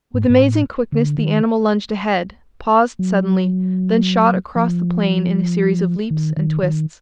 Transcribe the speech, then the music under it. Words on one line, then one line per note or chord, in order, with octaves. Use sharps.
With amazing quickness the animal lunged ahead, paused suddenly, then shot across the plain in a series of leaps and twists.
G#2
G#2
A2
D3
D#3
F#3
F3
D#3
D#3
D#3